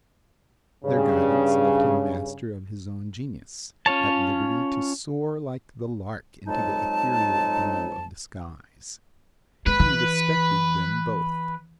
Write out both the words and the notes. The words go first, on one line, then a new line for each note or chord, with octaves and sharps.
Their guidance left him master of his own genius, at liberty to "soar like the lark into the ethereal blue of the skies." He respected them both.
G2 C#3
C#4 F4 C#5 A5
F2 F#3 G#3 D#4 A5
G#3 B4
E3